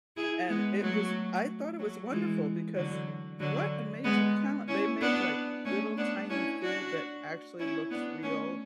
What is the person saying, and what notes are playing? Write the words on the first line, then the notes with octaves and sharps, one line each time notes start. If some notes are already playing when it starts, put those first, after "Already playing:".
And it was I thought it was wonderful because, w what amazing talent! They make like little tiny food that actually looks real.
E4 G#4
G#3 B3
F#3 A3
F#3 A3
E3 G#3
D3 F#3
D3 F#3
G#3 B3
C#4 E4
B3 D4
A3 C#4
B3 D4
C#4 E4
D4 F#4
C#4 E4
B3 D4
A3 C#4